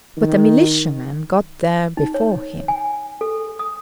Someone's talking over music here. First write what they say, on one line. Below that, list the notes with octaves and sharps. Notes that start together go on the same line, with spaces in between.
But a militiaman got there before him.
D#3
D#4
C#5
G#5
A4
D#6